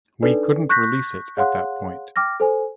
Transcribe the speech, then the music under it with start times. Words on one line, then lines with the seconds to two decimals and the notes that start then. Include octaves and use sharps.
We couldn’t release it at that point.
0.22 D4 D#4 A4 B4 D5
0.69 C#6 F#6 G6 A#6 B6
1.37 G#4 C#5 F5 F#5 C6 F#6
2.16 G5 D6 F6 A#6
2.40 A4 C5 G#5